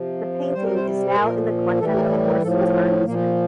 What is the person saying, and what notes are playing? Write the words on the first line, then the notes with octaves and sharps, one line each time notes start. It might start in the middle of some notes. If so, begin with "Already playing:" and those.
The painting is now in the collection of the Horsens Art Museum.
Already playing: C3 F3
C3 G3 C5
A#4
C5
C5
A#2 F3 A#4
A2 E3 G3 A4
A#4
A4
A#4
A2 F3 A4
G4
F4
D4
A#2 F3 A#3